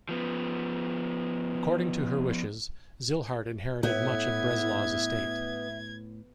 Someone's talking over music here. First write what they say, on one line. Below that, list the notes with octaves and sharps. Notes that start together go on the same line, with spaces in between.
According to her wishes, Zillhardt inherited much of Breslau's estate.
F3 B3
A2 B3 E5 G#6